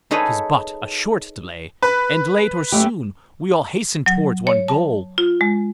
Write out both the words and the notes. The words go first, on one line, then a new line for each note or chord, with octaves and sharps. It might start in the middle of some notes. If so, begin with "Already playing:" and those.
'Tis but a short delay, and late or soon we all hasten towards one goal.
D#4 G#4 A4 B4 C#5
B4
F#2 A3 G4
F#3
C#5
A5
F4
G#3